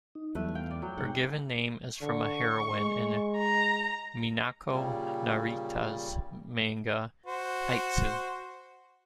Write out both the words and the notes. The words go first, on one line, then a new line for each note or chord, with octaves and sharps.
Her given name is from a heroine in Minako Narita's manga "Aitsu".
D#4
E2 F#3 G3 A3 B4
F5 G5
D5
F#3 G5
G#2 F#5
D3 C#6
G#3
A#5
A#2 C#3 G3
F#4 C5